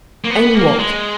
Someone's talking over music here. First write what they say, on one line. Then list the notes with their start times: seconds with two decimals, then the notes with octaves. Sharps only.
"And what?"
0.25 A#3
0.30 B3
0.54 A#3
0.79 G#3